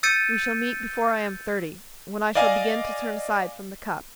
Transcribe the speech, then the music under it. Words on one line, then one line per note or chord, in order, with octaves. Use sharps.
We shall meet before I am thirty, when I shall begin to turn aside from the cup.
E6 G6 A6 C#7 D#7
D5 D#5 F5 G#5